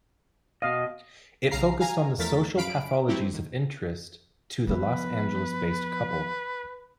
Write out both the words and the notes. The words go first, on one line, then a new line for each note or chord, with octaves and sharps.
It focused on the social pathologies of interest to the Los Angeles-based couple.
B2 D#5 F5
B1 C#3 F5 A#5 C7
F5 G#5 A#5
E2 F3 A3 A#4 A6 B6
F#2 F5 B5 D7
F#3 A3 C4 E4 G4
D#2
F3 B3 B4